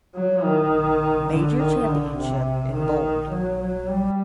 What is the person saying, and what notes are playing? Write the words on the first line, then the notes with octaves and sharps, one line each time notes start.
Major championship in bold.
F#3
D#3
D3
D#3
D3
C3
D#3
F#3
F#3
G3